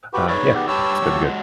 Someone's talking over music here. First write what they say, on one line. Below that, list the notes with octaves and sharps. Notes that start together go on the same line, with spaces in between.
uh, yeah, yeah, it's been good.
F#4 G4 B4
D#4 G#4 B4 C#5 D5
B3 G4
G2 G4 B4 C#5 A5 E6
F#3 D4 F4
F#3 G#3